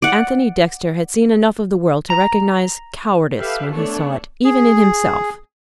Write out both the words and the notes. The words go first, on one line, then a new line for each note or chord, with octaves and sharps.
Anthony Dexter had seen enough of the world to recognise cowardice when he saw it, even in himself.
D5 F#5
A#5
G4 A4 B4 E5 F5
A3 B3 D4 A4 C#5 A5
G#4